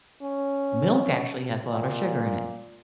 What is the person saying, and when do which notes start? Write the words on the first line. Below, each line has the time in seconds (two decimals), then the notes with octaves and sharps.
milk actually has a lot of sugar in it.
0.22 C#4
1.71 A#2